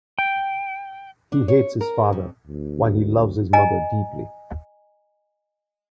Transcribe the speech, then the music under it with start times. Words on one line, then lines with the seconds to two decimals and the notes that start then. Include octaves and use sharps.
He hates his father while he loves his mother deeply.
0.19 G5
1.32 D4
1.48 C#5
1.81 A#4
2.12 F2
2.47 D2
3.53 D#5 G#5 A#5